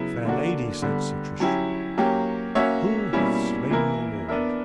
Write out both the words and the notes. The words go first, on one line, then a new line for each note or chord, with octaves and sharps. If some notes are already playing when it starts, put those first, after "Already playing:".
Fair lady, said Sir Tristram, who hath slain your lord?
Already playing: C#3 F#3 B3 E4
D3 A#3 D4 F#4
D3 G3 B3
F#3 C#4 E4 G4
F#3 A#3 C#4 G4
A#3 C#4 F#4 C#5 E5
B2 G3 A#3 C#4 E4
E3 A#3 E4 A#4
B3 D4 A#4 E5